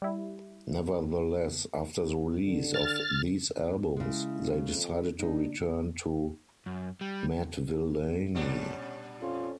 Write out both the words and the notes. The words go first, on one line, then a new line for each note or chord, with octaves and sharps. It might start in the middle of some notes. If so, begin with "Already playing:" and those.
Nevertheless, after the release of these albums, they decided to return to "Madvillainy".
G3 E4
D3
F6 A6
C#3 G#3 E4
F2
D4 D#4
F#2
G3
A#2 G3 C#4 D4
F2 C#4 F4